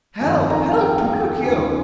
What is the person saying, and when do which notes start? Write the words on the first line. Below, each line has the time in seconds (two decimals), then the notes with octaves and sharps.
"Help, help, Pinocchio!"
0.20 G1 F2 D#3 G#5
0.50 A#5
0.81 G5
1.01 F5
1.21 G5
1.41 D#2 C#3 F3 G#5